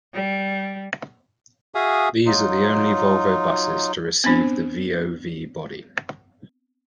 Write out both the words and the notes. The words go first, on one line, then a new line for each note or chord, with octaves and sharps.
These are the only Volvo buses to receive the VoV body.
G3
F#4 G#4 E5 F5 G#5 D#6
F#3 D#4 F4
B3 C4 D4 C5